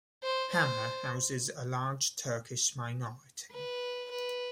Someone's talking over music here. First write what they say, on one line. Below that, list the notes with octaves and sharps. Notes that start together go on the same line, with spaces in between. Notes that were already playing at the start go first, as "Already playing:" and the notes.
Hamme houses a large Turkish minority.
C5
C5
B4
B4